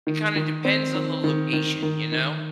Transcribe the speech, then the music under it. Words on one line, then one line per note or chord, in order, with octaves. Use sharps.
it kinda depends on the location, you know?
D#3
D#3
C4
D#3
D#3
D#3
D#3
D#3